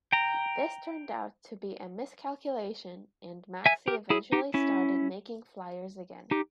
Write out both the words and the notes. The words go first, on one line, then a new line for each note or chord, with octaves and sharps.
This turned out to be a miscalculation and Maxi eventually started making flyers again.
G5 A#5
E5 G#5
G4 A#4
E4 G#4
D#4 G4
C#4 E4
D#4 G4